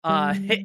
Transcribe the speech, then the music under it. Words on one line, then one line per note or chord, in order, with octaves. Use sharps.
uh, heh
G3
G3